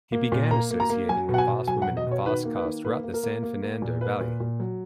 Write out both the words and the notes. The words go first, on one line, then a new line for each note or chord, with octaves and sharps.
He "began associating with fast women and fast cars throughout the San Fernando Valley".
A#3
A#2
A#3 A#5
A#3
A#5
A#3
F#3 G#5
B2
F#5
G#5
B2
F#3 G#5
F#5
B2
D#5
B2 C#5
D#3 B4
A#3
B4
D#3
A#3 B4
A#3
A#4
A#3
A#3
A#3
A#2
A#3 B4
A#2
A#2
F#3